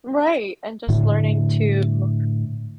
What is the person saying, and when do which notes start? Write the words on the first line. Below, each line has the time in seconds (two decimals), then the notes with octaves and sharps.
Right, and just learning to
0.88 A2 D3